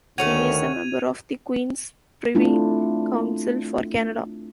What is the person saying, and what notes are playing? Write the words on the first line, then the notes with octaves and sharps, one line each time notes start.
He is a member of the Queen's Privy Council for Canada.
D2 D#3 A3 C#4 F#4 G#6 D#7 F7
A3 C4 D4 E4 F4